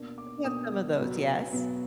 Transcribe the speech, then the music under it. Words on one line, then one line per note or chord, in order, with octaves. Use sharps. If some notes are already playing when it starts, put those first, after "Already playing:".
we have some of those. Yes.
Already playing: B2 A#3 D4
D6
B2 A#3 D4 D#6
B2 F#3 B3
B2 F#3 B3